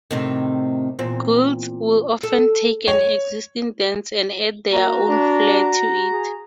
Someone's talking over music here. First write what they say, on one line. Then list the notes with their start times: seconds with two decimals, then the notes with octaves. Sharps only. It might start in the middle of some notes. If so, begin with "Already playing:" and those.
Guilds will often take an existing dance and add their own flare to it.
0.11 A2 C3 D#3
0.99 E2 A#2 C4
2.23 A4
2.88 C#5
4.72 A#3 F#4 A#5
5.08 D4
6.10 G#4